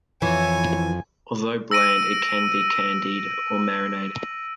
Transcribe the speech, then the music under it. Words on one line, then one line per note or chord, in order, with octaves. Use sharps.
Although bland, it can be candied or marinated.
F2 E3 C#5 G#5
E6 A#6 D7 D#7